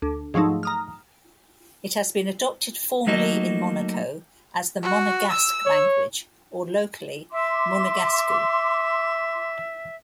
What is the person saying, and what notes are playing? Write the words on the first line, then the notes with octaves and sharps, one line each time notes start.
It has been adopted formally in Monaco as the Monegasque language; or locally, "Munegascu".
D2
G#2 F3 F#3 A3 D#4
A#5 D#6 F6
F#3 A3 A#3 D#4 F#4 D#5
F#4
E6
C#5
E5 C6 D6